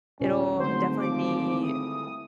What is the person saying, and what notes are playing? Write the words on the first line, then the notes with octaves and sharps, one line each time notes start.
it'll definitely be
D#1 C#2 A#2 C#3 C#4
G#1 D3 F#3 G3 A3 C5
F3 D6
E4 D#6